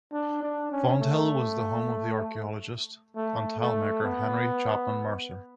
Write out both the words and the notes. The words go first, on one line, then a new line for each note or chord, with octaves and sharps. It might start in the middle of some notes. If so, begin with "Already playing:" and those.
Fonthill was the home of the archeologist and tile maker Henry Chapman Mercer.
D4
D4
C#4
A3
A3
A3
B3